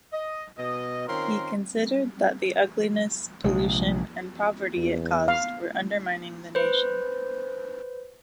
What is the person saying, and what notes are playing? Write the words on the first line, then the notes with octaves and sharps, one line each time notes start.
He considered that the ugliness, pollution and poverty it caused were undermining the nation.
D#5
B2 D#5
D#3 C4 C#4 F4 A#4 C6
A#1 C3 G#3
E2
F5
B4 C5